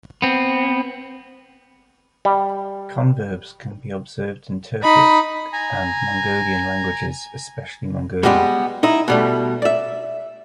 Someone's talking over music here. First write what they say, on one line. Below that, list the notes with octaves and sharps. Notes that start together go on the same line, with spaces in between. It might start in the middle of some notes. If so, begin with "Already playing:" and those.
Converbs can be observed in Turkic and Mongolian languages, especially Mongolian.
B3 C4
G3
D#4 B5
G#5 A#5
G3 G#3 B3 F#4 G4
D#4 E4
B2 G3 A3
D5 E5